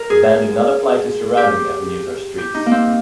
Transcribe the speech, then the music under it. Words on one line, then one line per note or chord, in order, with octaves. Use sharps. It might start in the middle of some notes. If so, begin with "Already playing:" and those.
The ban did not apply to surrounding avenues or streets.
Already playing: A#4
G#4
G4
G4
D#4
A#3
C4